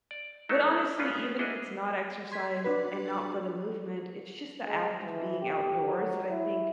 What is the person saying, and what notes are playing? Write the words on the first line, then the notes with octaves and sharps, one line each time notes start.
but honestly, even if it's not exercise, and not for the movement, it's just the act of being outdoors that I think
D5
F#3 A3 D#4 E4 A4
G#3 A#3 B3 C#4 F4 G#4
D4 E4 F#4 G#4 D#5 E5
C6 G#6 B6
D4 F#4 B4
G#3
E3
G4
F#3
E4